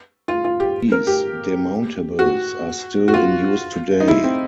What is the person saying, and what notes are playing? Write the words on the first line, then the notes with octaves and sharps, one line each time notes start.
These demountables are still in use today.
F4
F4
G4
A#4
G4
F#4
F#4
F4
D#4
E4
C4